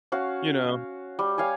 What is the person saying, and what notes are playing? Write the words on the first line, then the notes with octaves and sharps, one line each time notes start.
you know.
C#4 F#4 F5
G3
C#5 F5 G5 G#5